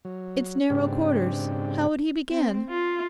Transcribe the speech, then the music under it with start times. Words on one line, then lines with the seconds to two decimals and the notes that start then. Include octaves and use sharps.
It's narrow quarters; how would he begin?'
0.05 F#3
0.70 G#2 C#3 C4 D4 G4
2.30 C4
2.69 F4